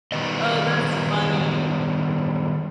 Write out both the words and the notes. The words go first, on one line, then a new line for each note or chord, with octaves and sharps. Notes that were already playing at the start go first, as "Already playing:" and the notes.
Oh, that's funny.
D#3 G3 B3 D#5